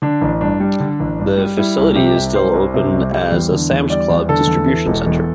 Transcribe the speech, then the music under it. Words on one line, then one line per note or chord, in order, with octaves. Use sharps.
The facility is still open as a Sam's Club Distribution Center.
D3 D4
A1
G2 D4
G3
D3
A1
G2
G3
G3 E4
C2
C3 G4
C2
G3 C5
C2
C3
C2
G3
E2
D3
E2
G3 D5
E2
D3 A4
E2
E3
E1
E2